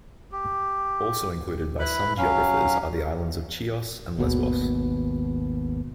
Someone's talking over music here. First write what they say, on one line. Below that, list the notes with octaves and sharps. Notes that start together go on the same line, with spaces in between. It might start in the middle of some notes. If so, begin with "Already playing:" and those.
Also included by some geographers are the islands of Chios and Lesbos.
G4
E4 B4 B5
F#3 C#4 F5
G#1 D#2 B2